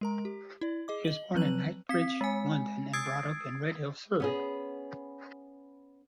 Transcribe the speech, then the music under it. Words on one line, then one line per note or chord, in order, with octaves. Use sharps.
He was born in Knightsbridge, London, and brought up in Redhill, Surrey.
G#3 A#4 A#5
G4
E4 D5
G#4 D#5 D6
D#5 F#7
F3 F#3 C4 B4 F#6 F#7
C4 B6
G#3 G#5
D#6 E6 G#6 A6 C7 D7
B3 C#4 G#4